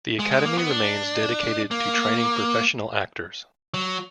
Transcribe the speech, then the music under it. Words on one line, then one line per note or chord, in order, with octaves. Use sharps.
The Academy remains dedicated to training professional actors.
G#3
G#3
A#3
B3
D4
A#3
F#3